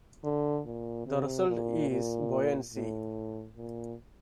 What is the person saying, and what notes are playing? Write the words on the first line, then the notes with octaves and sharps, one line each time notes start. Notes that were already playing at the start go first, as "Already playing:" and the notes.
The result is buoyancy.
D3
A#2
C3
A#2
A#2
A2
A#2